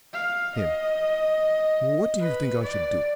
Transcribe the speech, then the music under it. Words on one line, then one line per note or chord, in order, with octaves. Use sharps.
HIM: What do you think I should do?
F5
D#5
B4
D5